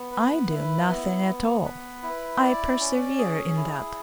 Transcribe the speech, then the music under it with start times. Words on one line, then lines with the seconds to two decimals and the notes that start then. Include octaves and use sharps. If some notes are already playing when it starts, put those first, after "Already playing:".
I do nothing at all, I persevere in that.
Already playing: B3
0.12 B4
0.50 E4
0.88 B3
1.27 B3
1.65 B4
2.03 E4
2.42 D5
2.80 C#4
3.18 G#4
3.57 E4